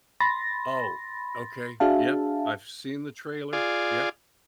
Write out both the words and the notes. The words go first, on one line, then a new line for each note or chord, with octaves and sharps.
Oh, okay. Yep, I've seen the trailer, yep.
B5 C6 A6 A#6
D4 F#4 G#4 E5 F5 A5
F4 G#4 D5